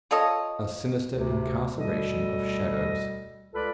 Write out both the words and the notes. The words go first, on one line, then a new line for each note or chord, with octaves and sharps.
A sinister incarceration of shadows.
F4 A4 C#5 D#5
D2 C3
D2 B2 G3 A4 D#5
C#2 F4 A4 B4 D5 B5